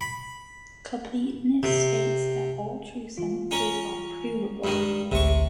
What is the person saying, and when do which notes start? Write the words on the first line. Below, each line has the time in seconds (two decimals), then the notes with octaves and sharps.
Completeness states that all true sentences are provable.
0.01 B5
1.63 C3
3.18 E3 F4
3.51 C#4 A#4 C#5
4.64 G2 D#3 G#3
5.11 A1 D2 C3 C#6